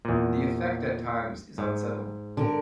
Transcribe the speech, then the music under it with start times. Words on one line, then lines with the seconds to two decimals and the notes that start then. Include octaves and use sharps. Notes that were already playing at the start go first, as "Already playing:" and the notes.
The effect at times is unsettling.
0.05 E2 A#2
1.58 G#2
2.37 D3 A#4